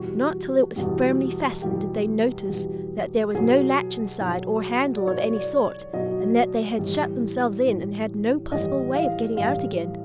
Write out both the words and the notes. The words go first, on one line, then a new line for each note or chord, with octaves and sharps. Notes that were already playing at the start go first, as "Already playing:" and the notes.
Not till it was firmly fastened did they notice that there was no latch inside, or handle of any sort, and that they had shut themselves in, and had no possible way of getting out again.
Already playing: E2 B2 G3 F#4
E2 B2 G3
E2 B2 G3 G4
E2 B2 G3
B2 F#3 G#4
B2 F#3
D5
B2 F#3 C#5
D5
B2 F#3 D#5
A2 E3 G3
A2 E3 G3
A2 E3 G3 D#5
F5
A2 E3 G3 F5